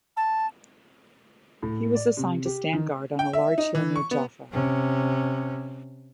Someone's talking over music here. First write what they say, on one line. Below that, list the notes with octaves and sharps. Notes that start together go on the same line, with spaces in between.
He was assigned to stand guard on a large hill near Jaffa.
A5
A2
D5
C3
G4
D#3
G5
E5
D#4
E3
C#6
B3
C3 C#4